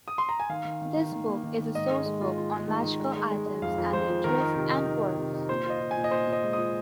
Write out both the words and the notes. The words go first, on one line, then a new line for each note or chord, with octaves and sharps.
This book is a sourcebook on magical items and their twists and quirks.
D#6
C6
A#5
G#5
D#3 F5
D#3
D#3
D#3
D#3
A#3
D#3
D#3
G#2 D#5
G#3
G#3
F4
F4
F4
D#3
D#3
G#3
G#3
G#3
G#3
F2 F5
F2
F2 C5
F3
D#3 A#4
D#4
C3
D#4
D#3
D#4
C3
D#4
A#2 C5
F4 D#5
F4
G#5
A#2
D#5
A#2 C5
A#2
D#5
G#3
A#2 D#6